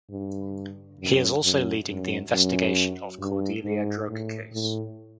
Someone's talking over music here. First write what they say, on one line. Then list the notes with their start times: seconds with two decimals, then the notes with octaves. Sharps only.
He is also leading the investigation of Cordelia drug case.
0.11 G2
1.00 F#2
1.43 F#2
1.88 F#2
2.32 F#2
3.20 G2
3.65 G#2
4.08 A2
4.53 A2